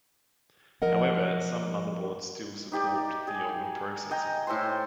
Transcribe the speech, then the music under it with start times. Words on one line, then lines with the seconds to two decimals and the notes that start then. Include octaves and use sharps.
However, some motherboards still support the older processors.
0.82 F3 A#4 D#5 F#5
2.72 D#4 G4 D5
3.27 G#4
4.11 D#5 G5 G#5 A#5
4.47 A2 A4 C5 C6